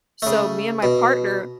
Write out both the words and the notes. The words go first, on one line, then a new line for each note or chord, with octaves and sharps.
so me and my partner
C#3 A3
B2